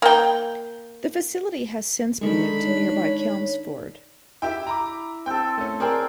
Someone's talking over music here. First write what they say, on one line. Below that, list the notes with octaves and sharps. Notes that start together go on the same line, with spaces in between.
The facility has since been moved to nearby Chelmsford.
A#3 G5
D#3 G#3 D4 A4 B5 C#6
C#5
E4 G4 E5 G5
A#5 B5 D6
C4 A4 G5 G6
A3 C#4
C4 G#4 A#4 C5 D5 G5